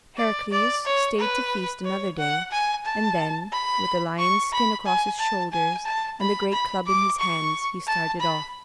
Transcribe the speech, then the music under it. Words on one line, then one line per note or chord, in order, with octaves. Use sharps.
Heracles stayed to feast another day, and then, with the lion's skin across his shoulders and the great club in his hands, he started off.
D5
D5
C#5
B4
C#5
F#5
G#5
A5
B5
C#6
B5
G#5
A5
G#5
A5
B5
B5
D6
C#6
A5
B5